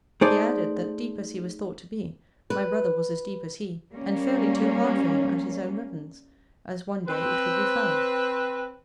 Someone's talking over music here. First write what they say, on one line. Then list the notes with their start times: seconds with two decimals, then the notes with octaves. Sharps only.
She added, that deep as he was thought to be, my brother was as deep as he, and fairly too hard for him at his own weapons--as one day it would be found.
0.21 A3 D#4 G#4 C5 D5
2.50 B4
3.92 G3 A#3 C#4
7.08 C4 B4